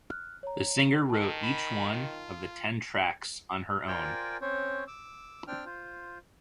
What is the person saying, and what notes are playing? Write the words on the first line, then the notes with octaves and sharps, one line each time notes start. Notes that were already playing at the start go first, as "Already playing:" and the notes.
The singer wrote each one of the ten tracks on her own.
F6 F#6
C#5 A#5
D#3 A5
B5
F4
F4 A#4 C5 D5 G5 G#5
C4 C#4 C5 C#5
D6 E6
C4 D4 G5 F6
F4 C5